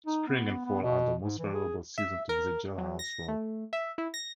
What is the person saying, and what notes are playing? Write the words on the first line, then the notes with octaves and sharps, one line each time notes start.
Spring and fall are the most favorable seasons to visit Jailhouse Rock.
D#4
B3
B3
B2
G#2
E3
G#4
E5
A#4
F#3
A#6
A3
E5
E4
A#6